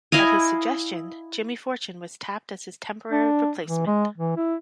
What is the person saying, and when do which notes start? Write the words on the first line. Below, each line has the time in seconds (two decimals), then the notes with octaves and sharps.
At his suggestion, Jimmy Fortune was tapped as his temporary replacement.
0.12 E4 D#5 F5 G#5
3.11 D4
3.67 E3
3.87 G#3
4.18 E3
4.37 E4